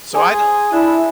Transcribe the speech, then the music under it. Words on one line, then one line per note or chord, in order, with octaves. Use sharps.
So, I don't
G#4 C5 G#5
D4 E4